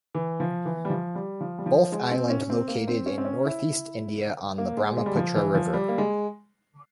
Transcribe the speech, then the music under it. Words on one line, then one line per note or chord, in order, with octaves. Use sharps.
Both island located in North East India on the Brahmaputra River.
E3
F3
E3
G3
F3
G3
F3
G3
F3
G#3
C4
C#4
C#4
C4
A#3
C4
C#4
C4
C#4
E4
A#3
G#3
G#3
G3
F3
E3
F3
G3
A#3
G#3